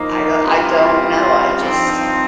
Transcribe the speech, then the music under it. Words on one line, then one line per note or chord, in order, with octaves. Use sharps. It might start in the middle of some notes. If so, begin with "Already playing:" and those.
I do I don't know, I just
Already playing: F3 A#3 D#4
C3 G3 C4 F4
G2 F3 C4 D#4